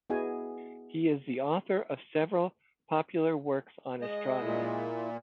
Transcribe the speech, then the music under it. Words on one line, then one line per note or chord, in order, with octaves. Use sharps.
He is the author of several popular works on astronomy.
B3 E4 F#4 G#4 D#5 G#5
G#3 D#5
A#2 E4